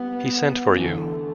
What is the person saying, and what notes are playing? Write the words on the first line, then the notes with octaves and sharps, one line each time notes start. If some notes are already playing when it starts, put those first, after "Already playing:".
He sent for you.
Already playing: G3 B3
E3
D3 A3